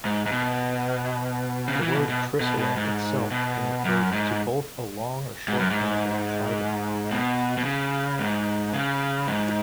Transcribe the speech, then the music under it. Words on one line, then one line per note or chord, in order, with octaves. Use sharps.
The word "trisula" itself can refer to both a long or short-handled trident.
G#2
G#2
B2
C#3
E3
B2
B2
B2
B2
G#2
B2
F#2
G#2
G#2
F#2
G#2
B2
B2
C#3
G#2
C#3
G#2